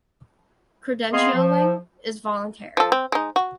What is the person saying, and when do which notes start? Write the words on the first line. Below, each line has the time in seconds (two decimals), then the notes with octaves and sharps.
Credentialing is voluntary.
1.14 B3 C4 G#4 D#5 F5 C6
1.36 F3
2.77 F3 A4
2.92 C4
3.12 G#3 D#4
3.36 F#4